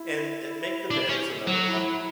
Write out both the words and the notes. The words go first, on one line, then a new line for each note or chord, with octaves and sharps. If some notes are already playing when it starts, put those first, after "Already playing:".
And, eh, make the bed is another one,
Already playing: E4
D4
C#4
F#3
E4